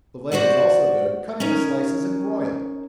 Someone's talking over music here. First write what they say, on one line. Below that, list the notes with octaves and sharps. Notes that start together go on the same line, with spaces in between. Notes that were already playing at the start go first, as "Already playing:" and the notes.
The leg is also good, cut into slices and broiled.
F#4 C5 D5 F#5
C#4 D#4 A#4 C#5